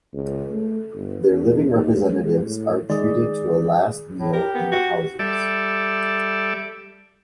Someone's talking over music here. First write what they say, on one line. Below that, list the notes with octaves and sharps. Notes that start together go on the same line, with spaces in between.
Their living representatives are treated to a last meal in the houses.
C#2
A3
G1
E2
D#2
G#3
A2
D#3 G#3 G#4 D5
A2
G4 A#4
B3
F#4
G3 A4 D5 E5